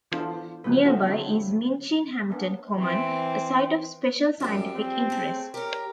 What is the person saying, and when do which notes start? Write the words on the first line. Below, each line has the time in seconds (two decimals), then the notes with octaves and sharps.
Nearby is Minchinhampton Common, a Site of Special Scientific Interest.
0.12 E3 B3 D4 F4 A4 C5
0.64 C#3 F3 F#3 G#3 B4
0.85 A3 B3 D4 F4 F#4
1.07 D3 F#3 C4 D4 E4
2.30 A#3 B3 D4
2.76 E3 C4
4.40 F#2 F3 G3 G4
4.73 C4
5.10 A3 G#4
5.54 G4 A#4 C#5